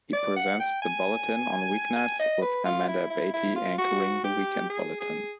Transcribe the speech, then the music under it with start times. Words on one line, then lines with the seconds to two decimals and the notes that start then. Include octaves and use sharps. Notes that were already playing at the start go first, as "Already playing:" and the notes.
He presents the bulletin on weeknights, with Amanda Abate anchoring the weekend bulletin.
0.13 D5
0.36 F#5
0.60 G5
0.82 G#5
1.96 G#5
2.19 D#5
2.42 B4
2.65 F4
2.88 E4
3.10 E4
3.34 E4
3.56 F4
3.78 F#4
4.24 G4
4.70 G#4
5.01 G#4